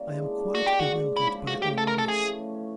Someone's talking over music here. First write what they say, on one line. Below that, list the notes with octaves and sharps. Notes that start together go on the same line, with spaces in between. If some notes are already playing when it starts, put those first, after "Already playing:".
I am quite bewildered by all this.
Already playing: E3 G3 A#3 C#4
G#3
D4
D4
G#3 F#4
G#3 G4
F#4
G#2
G#2
C#3 E4
F3
A2 F#4
A2 G4
C#4 A4
A#4
F3 A4
E3 G#4
A3
C#4
C#4